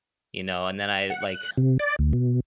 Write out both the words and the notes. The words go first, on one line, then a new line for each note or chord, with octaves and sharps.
you know, and then I, like
F#5
F#6
C3
D5
D2
B2